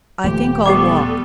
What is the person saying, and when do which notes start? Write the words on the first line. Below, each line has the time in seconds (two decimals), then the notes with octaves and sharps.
"I think I'll walk."
0.24 D#1 D#2 F3 A3 G4
0.66 G3 B3 G4 A4 G5 D6